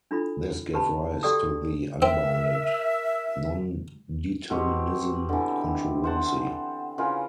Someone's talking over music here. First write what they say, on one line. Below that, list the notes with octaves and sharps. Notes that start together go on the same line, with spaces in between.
This gave rise to the Unbounded nondeterminism controversy.
D4 E4 F4 A4 B5
E4 G4 B4 A5 B5
F#4 G4 A4 D5 G5 D#6
C4 A#4 E5
B2 C4 G4 C#6
D3 E3
C5 F#5 A5
C#3 E3 F4 A#4